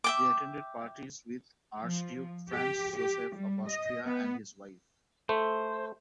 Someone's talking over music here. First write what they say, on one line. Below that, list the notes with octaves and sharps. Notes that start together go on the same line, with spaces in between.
They attended parties with Archduke Franz Josef of Austria and his wife.
E5 G5 D6
F3
G4
G4
G3
D#5
B3
A3 C5